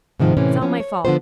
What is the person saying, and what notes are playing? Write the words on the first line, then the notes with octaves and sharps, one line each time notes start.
It's all my fault.
G#2 C3 D#3 F3
A2 C3 E3 C#4
F3 A#3 C#4
C#5
D3 F3 B3 F4 C5